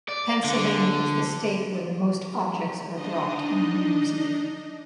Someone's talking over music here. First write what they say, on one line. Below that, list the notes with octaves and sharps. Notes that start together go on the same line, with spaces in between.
Pennsylvania is the state where the most objects are dropped on New Year's Eve.
D5
D3
D4 D#4 D#5